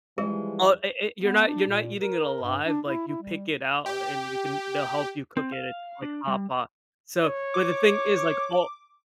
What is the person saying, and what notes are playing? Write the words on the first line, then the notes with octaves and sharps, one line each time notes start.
Oh, e eh, you're not you're not eating it alive, like, you pick it out and you can they'll help you cook it, it's like hot pot. So but the thing is, like, o
E3 F3 G3 G#3 G#4
B3
D4
A#2
A#4
G2
D4
E4
E4
G3
G4
C4
F5
D4
G3
C#5
D6